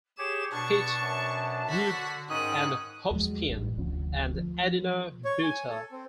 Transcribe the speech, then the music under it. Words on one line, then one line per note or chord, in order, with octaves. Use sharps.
Pit, Grube and Hovsepian and Adina Butar.
G4 G#4 C#5 D6 E7
B2 D4 A5 C#6
F#2
D3 F#4 B6
G#2 D#3 C#4 G5 D#6 F#6
E2 F3 F#3 G#3
A1 G2
F1 D2 F3 C#4
F3
C#5
G#5
A4
C4